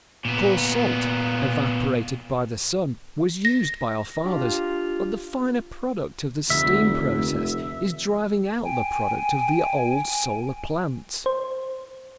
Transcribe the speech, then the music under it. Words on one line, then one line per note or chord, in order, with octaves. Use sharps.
Coarse salt, evaporated by the sun, was used by our fathers, but the finer product of the steam process is driving out the product of the old solar plants.
A#2 B3
A#6
D4 F4 G4
F1 D2 E5
G5 G#5
C5